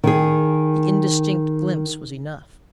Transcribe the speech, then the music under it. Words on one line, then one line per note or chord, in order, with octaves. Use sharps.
The indistinct glimpse was enough.
D#3 G#4